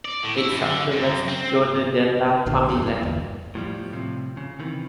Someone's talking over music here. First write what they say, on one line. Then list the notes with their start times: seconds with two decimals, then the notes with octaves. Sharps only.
Its subtitle was "Journal de la famille".
0.05 D5
0.23 A2
0.38 E4
0.53 F#2
0.66 D3
0.92 F#2
1.28 C4
2.46 A#1 A#2 D3
2.69 F1 B1 E2 C#3
2.82 G2 A#3
3.01 G1 E2
3.55 A2 F3 G3
3.91 A2 C3 F3
4.37 C#3
4.59 C3 D#3 E3